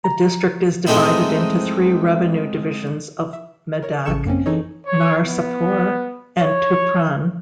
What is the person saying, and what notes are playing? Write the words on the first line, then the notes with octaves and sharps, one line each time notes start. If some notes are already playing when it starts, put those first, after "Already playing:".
The district is divided into three revenue divisions of Medak, Narsapur and Tupran.
A#5
G#2 G#3 A3 C4 D#4 E4
E5
A#4 C#5 A#5
A1 C#3 A4 C#6 C#7 E7
F#2 A#3 C4 C#4
E3 D#4 G#4 A4 C#5 D#5
C#5
B3
C#5